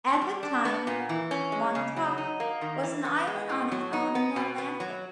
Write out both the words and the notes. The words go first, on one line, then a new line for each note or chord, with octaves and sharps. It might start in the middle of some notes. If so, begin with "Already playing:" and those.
At that time, Montauk was an island on its own in the Atlantic.
G3
D4
B3
A#2
E3
C#4
G#3
C#3
F#3
D#4
A#3
D#3
E3
B3
G#3
A2
F#3
D#4
B3
B2
B3
F#3